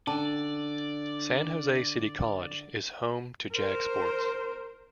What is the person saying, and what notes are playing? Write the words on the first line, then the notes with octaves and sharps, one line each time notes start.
San Jose City College is home to Jagsports.
D3 C#4 D4 D5 A5 D6
A#4 C5